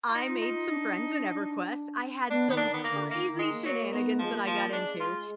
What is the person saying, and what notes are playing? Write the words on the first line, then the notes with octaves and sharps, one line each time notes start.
I made some friends in Everquest, I had some crazy shenanigans that I got into.
F4
D#4
F4
D#4
D4
B3 D4
D#3 B3
D4
D#3 B3
A#3
D3
D#3 A#3
D#3
G#3
A#3
F#3
A#3
D#3 B3
F3 G#3
A#3
F3
G#3 D4
F4